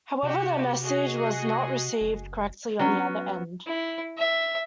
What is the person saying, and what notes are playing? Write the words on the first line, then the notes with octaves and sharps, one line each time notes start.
However, the message was not received correctly at the other end.
C3 F#4 G4
F#4 G#4 D#5
F#1
F#3 B3 C#4
E4
E5